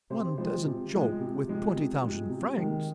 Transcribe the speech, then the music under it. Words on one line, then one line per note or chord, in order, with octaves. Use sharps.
"One doesn't joke with twenty-thousand francs."
C3 C5
F3 G#3 C5
C3
F3 G#3
C3
F3 G#3
C3
F3 G#3
C3
D#3 G#3